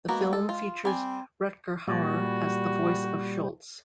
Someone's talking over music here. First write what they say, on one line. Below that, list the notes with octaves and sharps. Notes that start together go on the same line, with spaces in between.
The film features Rutger Hauer as the voice of Schultz.
G#3 A#3 B3 F#4
A4
F4
G3 C4 G#5
A#2 G3 F#4